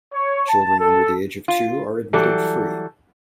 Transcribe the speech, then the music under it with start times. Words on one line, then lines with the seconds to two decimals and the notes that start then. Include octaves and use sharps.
Children under the age of two are admitted free.
0.13 C#5
0.48 A5
0.80 A4
1.48 F4
2.13 E3 F#3 G3 A4